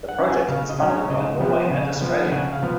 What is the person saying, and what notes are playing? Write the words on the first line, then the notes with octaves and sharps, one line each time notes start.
The project is funded by Norway and Australia.
F#5
F#3 C#4
G#5
C#3 F5
D#5
F#3 C#4
C#5
C#3 D#5
F3 B3
C#3
F3 B3
C#3 F#5
F5
F3 B3